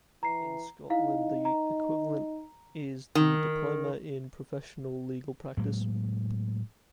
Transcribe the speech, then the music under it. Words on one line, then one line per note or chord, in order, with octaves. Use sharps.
In Scotland, the equivalent is the Diploma in Professional Legal Practice.
E3 A#5 C7
D#4 E4 F5
A#5
D#3
A2 F#3 G#3 A#3